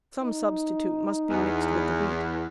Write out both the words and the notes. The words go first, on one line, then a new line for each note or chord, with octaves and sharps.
Some substitute must be mixed with the wheat.
D#4
E2